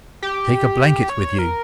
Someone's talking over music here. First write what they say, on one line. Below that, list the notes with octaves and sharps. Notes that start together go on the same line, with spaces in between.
"Take a blanket with you."
G4
C#5
A#4